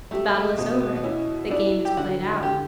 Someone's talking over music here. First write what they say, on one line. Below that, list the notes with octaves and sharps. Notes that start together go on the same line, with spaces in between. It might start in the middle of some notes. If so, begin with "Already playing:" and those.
"The battle is over--the game is played out."
A3 G4
A3
B2 B3
B3
B3
C#4 E4
D4 E4
G4
D3 F#4
F#4
D3 G4